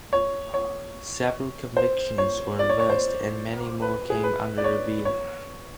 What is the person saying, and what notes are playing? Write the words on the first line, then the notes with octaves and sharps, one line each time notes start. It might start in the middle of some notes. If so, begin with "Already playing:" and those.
Several convictions were reversed, and many more came under review.
C#5
C#5
C5
C#5
D5
C#5
C#5
C5
B4
G#4
B4
D5
C#5
C#5